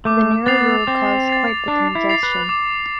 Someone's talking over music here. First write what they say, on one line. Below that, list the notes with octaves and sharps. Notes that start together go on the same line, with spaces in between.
The narrowed road caused quite the congestion.
A3 D6
B3 A6 C7 F7
C4 D6
A6 C7 F7
D4 D6
E4
A6 C7 F7
B4
D6